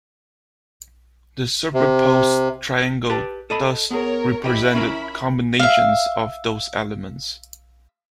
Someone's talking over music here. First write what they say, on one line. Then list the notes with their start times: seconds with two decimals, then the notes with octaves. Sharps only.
The superposed triangles thus represented combinations of those elements.
1.74 C3
3.10 G4 B4 A5
3.50 A4 D#5 B5
3.91 B3 G#4 A#4 C#5
4.44 E4 G4 D#5 B5
4.75 C#4 F4 A#4
5.60 E5 F5